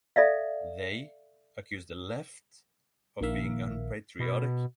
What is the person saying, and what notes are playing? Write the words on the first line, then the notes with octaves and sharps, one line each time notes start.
They accused the Left of being unpatriotic.
A4 D5 E5 F5
A#1 D#3 A#3 E5 F5
B2